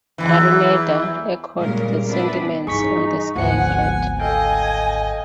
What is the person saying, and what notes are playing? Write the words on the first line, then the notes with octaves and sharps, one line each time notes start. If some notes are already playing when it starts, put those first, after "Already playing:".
Araneda echoed the sentiments on "The Sky Is Red".
E2 A#2 E3
A#2 C#3 G3 G#3 A#4
B3 C4 D4 E4 B4
G2 E3 D#4 G#4 C#6 B6
G#1 D2 F3 B3 F#5 G#5 C#7
A4 D#5 F5 G5 G#5